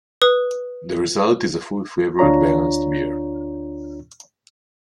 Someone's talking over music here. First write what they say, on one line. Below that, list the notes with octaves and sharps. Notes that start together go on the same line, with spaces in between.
The result is a full flavoured balanced beer.
B4 D#6
D2 D4 F4 C#5 A#5